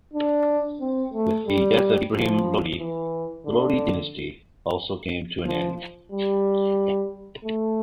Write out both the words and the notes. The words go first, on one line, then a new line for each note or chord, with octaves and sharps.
With the death of Ibrahim Lodi, the Lodi dynasty also came to an end.
D4
C4
A3
G3
F3
E3
D3
F3
G3
A3